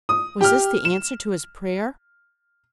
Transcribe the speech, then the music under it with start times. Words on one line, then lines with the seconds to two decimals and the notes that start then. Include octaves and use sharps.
Was this the answer to his prayer?
0.09 D#6
0.41 G4 F6
0.85 E7